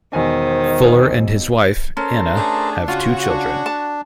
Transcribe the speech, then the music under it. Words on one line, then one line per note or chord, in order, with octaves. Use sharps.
Fuller and his wife, Anna, have two children.
E1 D#3 C5 G#5
C#4 A4 A#4 C5
A3 D4 G#4
C#3 F4 F#4
D4
A5